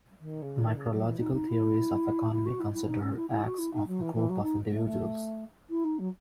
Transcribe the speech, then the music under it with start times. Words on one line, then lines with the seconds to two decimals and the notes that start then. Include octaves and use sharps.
Micrological theories of economy consider acts of a group of individuals.
0.20 D#3
0.42 C#3
0.63 D#3
0.76 C#3
0.94 F#3
1.05 E3
1.19 D#4
1.33 D#4
1.48 E4
2.32 E4
2.46 F#4
2.60 E4
2.74 E4
2.88 D#4
3.02 C#4
3.16 E4
3.30 E4
3.45 F#4
3.58 E4
3.73 D#4
3.87 F#3
4.01 E3
4.14 E3
4.29 F#3
4.42 D#4
4.71 A3
4.85 A3
5.70 E4
5.84 D#4
5.99 F#3